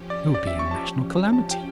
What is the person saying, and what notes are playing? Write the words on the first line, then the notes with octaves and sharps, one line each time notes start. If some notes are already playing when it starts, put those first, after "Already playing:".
It would be a national calamity.
Already playing: F3 C#4 G4
D5
D5
E5
C#6
A5
A5
G5